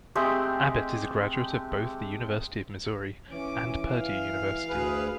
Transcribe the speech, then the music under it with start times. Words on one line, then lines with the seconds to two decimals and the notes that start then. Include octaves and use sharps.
Abbett is a graduate of both the University of Missouri and Purdue University.
0.15 G#3 A3 C4 G4
3.31 E3 C#4 D6
3.94 F5
4.69 D2 G#4 B4